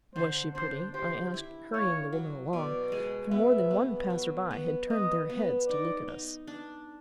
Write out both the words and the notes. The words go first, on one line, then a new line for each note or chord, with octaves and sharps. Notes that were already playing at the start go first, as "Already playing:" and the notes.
"Was she pretty," I asked, hurrying the woman along, for more than one passer-by had turned their heads to look at us.
D3 C5
D4 C5
G4 C5
E4
A#3 C#5
F#3
B2 D5
G#3
B3 E5
B3
F#3
B3
B3 D#5
B3
D#4 D5
D#4
D4